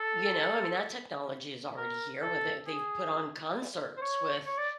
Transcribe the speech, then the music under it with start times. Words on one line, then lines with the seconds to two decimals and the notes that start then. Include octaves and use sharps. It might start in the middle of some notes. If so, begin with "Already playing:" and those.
You know, I mean, that technology is already here, where they they've put on concerts with,
Already playing: A4
1.77 A#4
2.21 A4
2.66 G#4
3.97 C5
4.01 C#5
4.46 C#5
4.58 D5